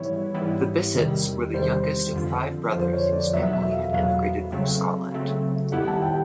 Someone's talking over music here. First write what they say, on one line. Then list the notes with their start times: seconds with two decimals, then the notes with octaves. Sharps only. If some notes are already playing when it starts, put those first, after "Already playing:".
The Bisset's were the youngest of five brothers whose family had emigrated from Scotland.
Already playing: G#2 E3 G3 B3 E4 C#5
0.34 G#2 E3 G3 B3 E4
0.94 E2 C3 D#3 G3
1.54 E2 C3 D#3 G3 C5
2.13 F2 D3 F3
2.73 F2 D3 F3 C5
2.93 C#5
3.13 D5
3.33 E2 B2 F#3 B3 E5
3.53 E5
3.72 F5
3.93 E2 B2 F#3 B3 F5
4.52 C#3 F#3 A3 C4
5.12 C#3 F#3 A3 C4
5.72 D#3 G3 B3 E4 G4 F#5
5.88 A5
6.02 G5